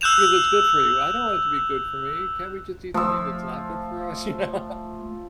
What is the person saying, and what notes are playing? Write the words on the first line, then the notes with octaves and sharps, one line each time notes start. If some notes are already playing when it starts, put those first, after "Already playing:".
it's good for you." "I don't want it to be good for me. Can't we just eat something that's not good for us, you know?"
E6 F#6 G6 E7 F7
F3 A3 E6